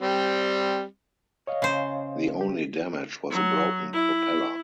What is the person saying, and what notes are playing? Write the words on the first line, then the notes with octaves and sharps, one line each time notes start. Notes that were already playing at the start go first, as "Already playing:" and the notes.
The only damage was a broken propeller.
G3 C4
C#5 D#5 F5
C#3 C5
F#3 G4
F#3
E4